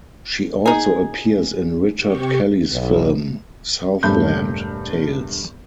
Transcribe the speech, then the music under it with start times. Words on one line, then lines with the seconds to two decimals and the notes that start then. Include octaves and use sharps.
She also appears in Richard Kelly's film "Southland Tales".
0.66 D#4 G#4
1.97 C3 G4 C#6
2.71 B1
4.03 E1 G2 A3 B5 G6